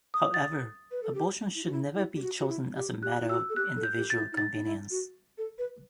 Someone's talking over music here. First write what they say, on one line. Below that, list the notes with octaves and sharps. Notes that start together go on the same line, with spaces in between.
However, abortion should never be chosen as a matter of "individual convenience".
D#6
A6
B4
A4
G4
E4
F#4
E4
E4
G4
F#4
F#4
E4
G4
G4 F#6
E4
F#4 E6
A4
G4 F#6
A4
G6
G4
A6
E4
E4
D#4 A6
D#4
E4
F#4
A4
B4